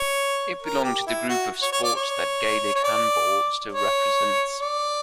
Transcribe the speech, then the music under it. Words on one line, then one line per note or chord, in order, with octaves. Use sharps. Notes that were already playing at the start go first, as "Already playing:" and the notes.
It belonged to the group of sports that Gaelic handball still represents.
Already playing: C#5
A#4
G4
E4
F#4
C#5
C#5
D5
C#5
C#5
D5
C#5
D5